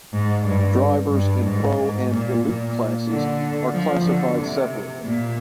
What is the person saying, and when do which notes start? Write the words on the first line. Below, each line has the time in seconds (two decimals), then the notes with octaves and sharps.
Drivers in Pro and Elite classes are classified separately.
0.13 G#2
0.46 G2
1.11 G2
1.44 G#2
1.77 G#2
2.09 A#2
2.43 A#2
3.08 D3
3.73 F3
4.05 D3
4.38 C3
5.04 A#2